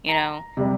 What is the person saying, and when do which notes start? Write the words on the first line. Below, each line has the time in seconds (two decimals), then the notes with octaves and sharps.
you know?
0.08 A#5
0.57 C3 G3